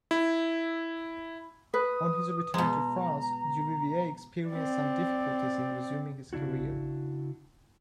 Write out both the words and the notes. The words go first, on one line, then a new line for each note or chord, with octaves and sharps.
On his return to France, Duvivier experienced some difficulties in resuming his career.
E4
B4 D#6
B2 G#3 A#5
C4 D5
C#3 D4 E4 F#4